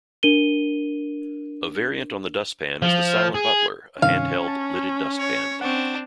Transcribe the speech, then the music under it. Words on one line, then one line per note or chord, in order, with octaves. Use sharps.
A variant on the dustpan is the silent butler, a handheld, lidded dustpan.
D4 A#4 D#7 G7
F3
G#4
G2 C3 D#3 C#4 F5
A5
C#5
C4 D4 F#5 C#6